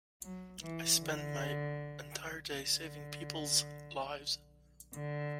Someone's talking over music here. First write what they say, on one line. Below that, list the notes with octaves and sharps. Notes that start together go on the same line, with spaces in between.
I spend my entire day saving people's lives.
F#3
E3
D3
D3
D3